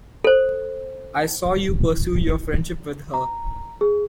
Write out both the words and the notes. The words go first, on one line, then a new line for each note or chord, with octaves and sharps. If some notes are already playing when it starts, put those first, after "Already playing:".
I saw you pursue your friendship with her.
A4 C5
A#5
G#4